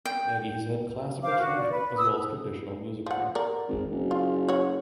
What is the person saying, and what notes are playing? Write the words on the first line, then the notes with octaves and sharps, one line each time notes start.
Maggie has had classical training as well as traditional music training.
G5
C5 F5 D6
F#4
D5
B4
D#6 E6
F3 F#5
A#4 D5
G#1
F#1
F4
F#4 C#5